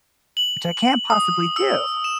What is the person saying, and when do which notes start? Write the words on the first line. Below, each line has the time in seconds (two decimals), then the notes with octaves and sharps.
Which I can't possibly do.
0.37 F#7
1.10 D#6
1.56 E6
2.04 E7